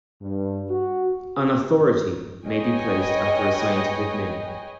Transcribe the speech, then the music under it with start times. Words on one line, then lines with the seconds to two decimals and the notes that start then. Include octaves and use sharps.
An "authority" may be placed after a scientific name.
0.21 G2
0.69 F#4
2.45 G#4 B4 C#5 D#5 G5 G#5